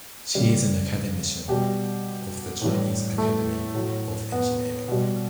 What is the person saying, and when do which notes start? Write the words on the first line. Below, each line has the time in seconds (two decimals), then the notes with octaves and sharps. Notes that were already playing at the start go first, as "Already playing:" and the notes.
She is an academician of the Chinese Academy of Engineering.
0.35 C#3 G3
1.48 B2 G3 G4
2.61 A2 E3 G3
3.18 A3
3.74 A2 F#3
4.32 B3
4.88 B2 G3